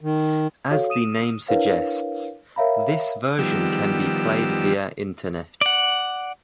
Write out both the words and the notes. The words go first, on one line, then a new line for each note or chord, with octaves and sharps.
As the name suggests, this version can be played via Internet.
D#3
F#4 A4 C#5 F5
D#6 D#7 E7
D4 E4 A#4 B4 C#5 F5
A#4 C#5 E5 F5 A#5 B5
D#3 F3 G3 B3 G4 E6
D5 F#5